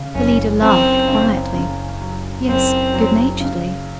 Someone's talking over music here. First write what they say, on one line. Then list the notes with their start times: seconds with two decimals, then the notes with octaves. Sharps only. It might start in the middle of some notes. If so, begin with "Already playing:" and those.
The leader laughed quietly--yes, good-naturedly.
Already playing: C#3
0.14 F#1 C#4
0.61 F#2 C4
1.08 C#3
1.54 C#3
2.01 F#3
2.48 F#1 C4
2.94 F#3
3.40 C#3